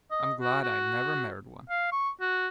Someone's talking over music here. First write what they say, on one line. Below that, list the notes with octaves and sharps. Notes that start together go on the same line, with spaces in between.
I'm glad I never married one!
D#5
F#4
F#4
F5
C#6
F#4